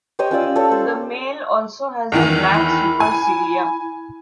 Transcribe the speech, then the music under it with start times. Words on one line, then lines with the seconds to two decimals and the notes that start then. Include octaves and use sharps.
The male also has a black supercilium.
0.19 G4 C5 C#5 D#5
0.31 C#4 F4 D5 E6
0.56 A4 C#5
0.71 C5
2.12 E2 D#3 E3
2.54 E4 B5
3.00 G#5